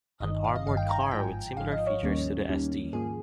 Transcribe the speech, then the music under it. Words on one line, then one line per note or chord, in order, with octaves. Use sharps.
An armoured car with similar features to the Sd.
G1 G2 D#3 D#5
F5
D#5
G1 G2 D#3 F5
G5
A#5
G#5
G#1 G#2 F3 G5
G#1 G#2 F3 F5
D#5
C#5
D#2 D#3 G3 A#3 C#4
D#2 D#3 G3 A#3 C#4
G#2 F3 A#3 G#4